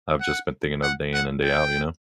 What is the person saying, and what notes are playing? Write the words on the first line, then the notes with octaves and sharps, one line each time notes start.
I've just been thinking of day in and day out, you know?
F#5
F#5
F#5
G5